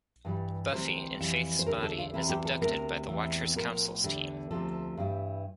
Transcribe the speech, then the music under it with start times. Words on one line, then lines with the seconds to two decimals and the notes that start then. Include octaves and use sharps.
Buffy, in Faith's body, is abducted by the Watchers Council's team.
0.25 G2 E3 G3
0.72 D2 C3 E3 G3 C5
1.19 F2 E3 G3
1.59 C5
1.67 E2 D3 G3 A#4
1.83 A4
1.98 F4
2.14 E2 C3 E3 E4
2.30 G4
2.45 A4
2.61 D2 C3 G3 A#4
3.08 E2 C3 E3
3.56 A2 F3 A#4
4.04 E2 D3 G3
4.51 D2 C3 F3 A4
4.97 G2 E3 G3